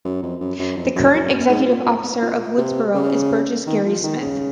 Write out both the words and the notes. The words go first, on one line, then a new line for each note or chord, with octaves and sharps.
The current executive officer of Woodsboro is Burgess Gary Smith.
F#2
F2
F#2
F#2
F2
F#2
F#2
F#2
G#2
A#2
A#2
A#2
C3
C#3
D#3
F3
D#3
C#3